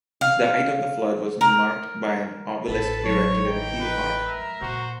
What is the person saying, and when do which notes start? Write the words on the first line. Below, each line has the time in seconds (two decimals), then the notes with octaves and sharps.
The height of the flood was marked by an obelisk erected in Peel Park.
0.21 F5
1.41 A#4
2.68 A1 A#3 A4 B4 A5
3.05 F#3 C#5
3.47 E3 D#4 G5
3.80 B4
4.26 A#4 E5
4.61 A#2 F#4 C5